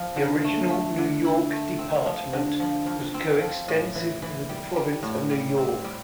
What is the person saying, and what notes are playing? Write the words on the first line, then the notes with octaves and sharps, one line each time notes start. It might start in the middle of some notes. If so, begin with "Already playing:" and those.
The original New York Department was coextensive with the Province of New York.
Already playing: F3
D3
A3
A3
D3
E4
A3
C4
F3
D3
F3
F2
C4
F3
A2
E3
E3
G3
G3
A2
G3
C4
G3